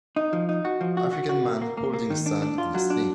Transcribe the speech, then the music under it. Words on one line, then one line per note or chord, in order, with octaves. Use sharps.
African man holding son in a sling.
D#4
F3
D#4
F#4
F3
F#4
F#4
F#4
A#3
A#3
A#3
A#3
D#3
D4
D4
F4
F#3
D4